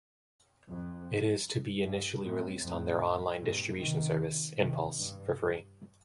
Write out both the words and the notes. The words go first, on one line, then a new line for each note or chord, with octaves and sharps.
It is to be initially released on their online distribution service, Impulse for free.
F2
G2
F2 A2
F2 A2
G2 A#2
C3 D#3
C3 D#3
G2